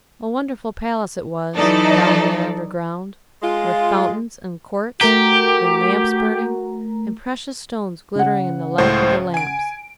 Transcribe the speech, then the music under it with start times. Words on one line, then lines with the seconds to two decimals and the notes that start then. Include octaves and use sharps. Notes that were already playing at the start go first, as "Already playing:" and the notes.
A wonderful palace it was, down there underground, with fountains and courts, and lamps burning, and precious stones glittering in the light of the lamps.
1.56 E3 F#3 D#4 A4 D5
3.42 G#3 F4
5.01 A3 F#4 G4 A#4 A#5
8.15 C#3 F#5
8.78 C#2 A2 C5
9.34 G#5 D7